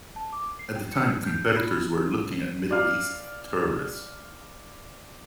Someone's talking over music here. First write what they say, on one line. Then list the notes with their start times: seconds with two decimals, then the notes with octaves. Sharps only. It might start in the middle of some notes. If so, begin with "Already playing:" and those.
At the time, competitors were looking at Middle East terrorists.
0.16 A5
0.33 D6
0.59 C7
0.76 G5
0.92 C#7
1.25 G6
1.56 B5
2.70 D5 F5